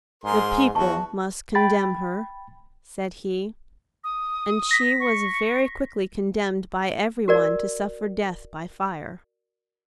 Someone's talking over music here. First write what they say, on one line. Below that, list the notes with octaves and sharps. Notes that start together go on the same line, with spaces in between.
"The people must condemn her," said he, and she was very quickly condemned by everyone to suffer death by fire.
G#2 G#4 A#4 C6
E2 F#4 A5 C#6
G5 B5 A6
D#6
A#6 B6
C#6
F#4 A#4 D5